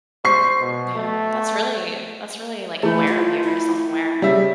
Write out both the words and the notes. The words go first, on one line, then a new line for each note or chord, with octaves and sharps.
Man, that's really that's really, like, aware of you, very self-aware.
C5 C#6 C7
B2
A3
E3 A3
F4
E4
E4
C#3 G3 E5